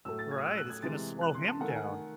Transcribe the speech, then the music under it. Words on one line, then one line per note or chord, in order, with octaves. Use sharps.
right, it's gonna slow him down.
A2 F#3 A3 E6
A6
G#6
D#6
E6
F#6
G#6
C3 E3 G#3 A6
F#6
C6
A5
D#3 A3 F#5
G#5
F#5